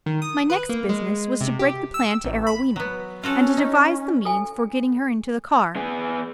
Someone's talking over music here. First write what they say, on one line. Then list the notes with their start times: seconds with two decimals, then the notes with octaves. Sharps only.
My next business was to break the plan to Arowhena, and to devise the means for getting her into the car.
0.06 D#3
0.22 D#6
0.50 B4
0.69 A#3
0.89 G#3
1.41 C3
1.59 G4
1.94 E6
2.24 A1
2.47 B5
2.76 F#3 B3
3.23 C#4 F4 F#4 A4
3.57 D#4
4.25 A4 G#5
5.76 B3 G#4